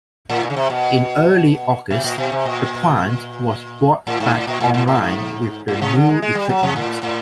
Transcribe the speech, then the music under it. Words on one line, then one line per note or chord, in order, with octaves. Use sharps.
In early August, the plant was brought back online with the new equipment.
A2
A#2
C#3
C3
B2
B2
A#2
B2
C3
A#2
A2
G#2
A2
A#2
A2
A2
A2
G#2
A2
C3
D3
G#3
G#3
G3
F#3
C3
A2
A2